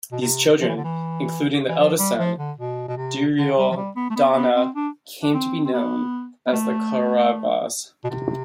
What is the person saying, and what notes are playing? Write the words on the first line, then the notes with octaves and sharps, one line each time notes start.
These children, including the eldest son Duryodhana, came to be known as the Kauravas.
B2
C3
F3
E3
D3
E3
E3
F3
G3
F3
D3
B2
B2
C3
D3
G3
F3
G3
B3
A3
B3
B3
C4
D4
D4
C4
C4
B3
B3
A3
B2
C3